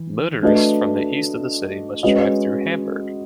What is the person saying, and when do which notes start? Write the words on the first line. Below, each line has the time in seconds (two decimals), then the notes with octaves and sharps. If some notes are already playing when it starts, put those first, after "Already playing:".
Motorists from the east of the city must drive through Hamburg.
Already playing: E3
0.43 A3 D4 F#4 B4 D#5
2.03 G#3 C#4 F#4 B4 D#5